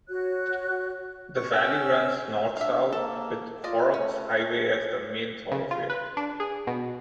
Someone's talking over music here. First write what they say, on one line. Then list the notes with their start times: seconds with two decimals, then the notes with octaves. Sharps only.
The valley runs north-south, with Horrocks Highway as the main thoroughfare.
0.08 F#4 C#5 F#6
1.37 C#4 C#6
1.52 C#4 G#4 A4 F#5 E6
1.67 C#5
2.57 D4 E5 F5
2.92 A#3 A4
3.64 F4 D5 D#5
3.94 A3 C#4
4.39 A3
5.51 C#3
5.71 F4
5.90 B4
6.17 D4
6.40 G#4
6.67 B2